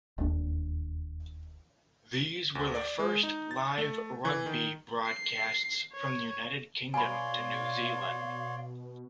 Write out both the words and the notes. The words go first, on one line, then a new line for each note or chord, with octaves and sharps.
These were the first live rugby broadcasts from the United Kingdom to New Zealand.
E1 D#2 D4
D2
D5
G#3
D#4
A6
A3
E3
D#3
C7
C#5
B2 C#5 D5 F5 G#5 B5 C6